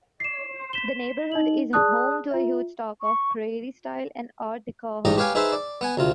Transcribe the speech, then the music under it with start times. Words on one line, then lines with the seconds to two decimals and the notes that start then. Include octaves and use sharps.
The neighborhood is home to a huge stock of prairie-style and art deco homes.
0.20 C7 E7
0.73 B6 E7 G7
1.32 D#4 D#5 F#7
1.73 G#4 D5 A5 D#6 F#6
2.31 F4 E5
3.01 C#6
5.05 A1 G#2 D#4 G4 D5 D#5
5.17 G4 B4 C#5 F5 G5 G#5
5.35 D#4 G#4 B4 C5 E5 B5
5.52 D5
5.81 B3 F#5 G#5
5.97 D2 C3 F4